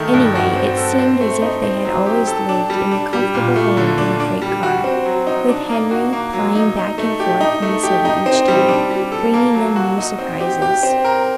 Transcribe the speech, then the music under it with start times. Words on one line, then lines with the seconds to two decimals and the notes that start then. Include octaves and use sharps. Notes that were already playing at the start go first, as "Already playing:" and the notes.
Anyway it seemed as if they had always lived in the comfortable home in the freight car, with Henry plying back and forth from the city each day, bringing them new surprises.
Already playing: D#3 A3
0.14 G2
0.35 F#4
0.56 C4
0.77 A4
0.98 C4
1.21 A3
1.42 D#4
1.63 C4
1.85 F#3
2.06 G4
2.27 A4
2.49 D4
2.70 G3
2.91 D4
3.13 G3
3.35 A#2
3.56 A3
3.77 D3
3.98 D4
4.20 D4
4.42 G3
4.63 F#4
4.84 C4
5.05 F#3
5.27 D#4
5.49 D4
5.69 A#3
5.91 F#4
6.13 A#3
6.33 F#3
6.55 D#4
6.77 D#4
6.98 A3
7.20 G4
7.40 D#4
7.62 A3
7.83 G4
8.05 D#4
8.26 C4
8.48 G3
8.68 D4
8.90 G3
9.12 A4
9.34 A#3
9.55 F#3
9.76 F#4
9.98 D#4
10.19 C4
10.40 G4
10.62 G4
10.83 C4
11.04 A#4